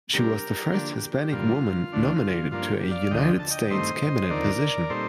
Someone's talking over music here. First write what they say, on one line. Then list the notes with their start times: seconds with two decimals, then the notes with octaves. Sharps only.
She was the first Hispanic woman nominated to a United States cabinet position.
0.13 C3 G3 D4 G4 A#4
0.73 D3 F3 A#3 D4 G4
0.93 G4
1.13 G4
1.32 G2 D3 G3 A#3 F4
1.92 D2 D3 A3 D4
2.51 G2 F3 A#3 D4 F4
2.71 G4
2.91 D5 F5
3.11 D2 D3 F3 D#5 G5
3.39 A5
3.51 D#5 G5
3.70 G2 D#3 A3 C4 C5 D#5
4.30 D#2 D3 F3 C4 D#4 A#4 D5
4.89 A#2 G3 C4 D#4 A4 C5